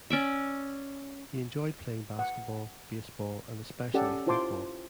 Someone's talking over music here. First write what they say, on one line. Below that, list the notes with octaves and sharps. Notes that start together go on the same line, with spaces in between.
He enjoyed playing basketball, baseball, and especially football.
C#4 D5 E5
F#5
C#4 G4 A4 D5 F#5 A5
E4 F4 C5 A5 C6 D6